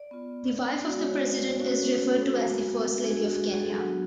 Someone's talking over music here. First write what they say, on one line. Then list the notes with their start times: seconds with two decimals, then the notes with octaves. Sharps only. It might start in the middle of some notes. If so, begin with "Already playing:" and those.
The wife of the President is referred to as the First Lady of Kenya.
Already playing: D5
0.11 B3 F4
0.78 D5
0.85 G#3 B3 F#4 F5
1.03 C#5
1.57 A3 C#4 F#4
1.95 B4
2.12 A4
2.30 G#3 B3 F#4
3.04 G#3 D4 F#4 G#4
3.23 F#4
3.41 G#4
3.54 G#4
3.60 A4
3.77 F#3 B3 D4 F#4 F#5